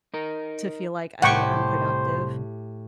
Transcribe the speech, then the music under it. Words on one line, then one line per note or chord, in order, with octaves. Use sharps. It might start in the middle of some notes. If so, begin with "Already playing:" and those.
to feel like I am productive,
D#4 A#4
C2 A2 G4 C5 F#5 G5 C#6